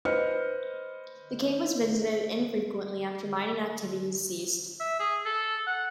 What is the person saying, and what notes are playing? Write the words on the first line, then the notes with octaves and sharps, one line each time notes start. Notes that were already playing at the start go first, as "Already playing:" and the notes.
The cave was visited infrequently after mining activities ceased.
B4 C5 D#5 F6 C#7
E5
G#4
A4
F#5